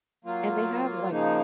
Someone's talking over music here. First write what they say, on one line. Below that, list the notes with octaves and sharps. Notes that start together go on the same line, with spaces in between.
and they have, like,
F#3 A#3 F4
C#3 F3 A#3 D#4